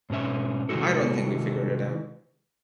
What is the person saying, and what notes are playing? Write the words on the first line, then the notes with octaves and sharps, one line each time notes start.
I don't think we figured it out.
G#2 B2 C#4 E5
C3 D#3 G#3 E4 F#4 A4